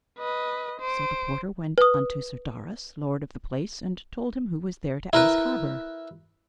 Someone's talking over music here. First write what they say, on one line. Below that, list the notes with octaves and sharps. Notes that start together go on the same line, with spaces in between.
So the porter went unto Sir Darras, lord of the place, and told him who was there to ask harbour.
B4 D#5
C5 D7
B4 D#6
E4 A#4 B4